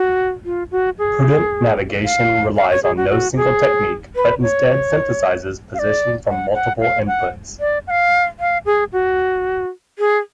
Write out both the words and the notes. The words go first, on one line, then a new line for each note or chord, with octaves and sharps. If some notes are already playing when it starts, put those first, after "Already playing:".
Prudent navigation relies on no single technique but instead synthesizes position from multiple inputs.
Already playing: F#4
F4
F#4
G#4
F5
F5
C#5
G#4
F#4
F#4
G#4
B4
C#5
F5
D5
F#5
F#5
F5
F#5
D5
F#5
F5
F5
G#4
F#4
G#4